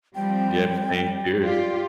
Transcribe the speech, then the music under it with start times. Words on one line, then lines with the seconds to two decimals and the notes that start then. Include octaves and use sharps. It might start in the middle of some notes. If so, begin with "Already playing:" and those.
yep, staying curious.
0.15 F3 G3 C4 G5
1.03 G3
1.44 F4 G4 D5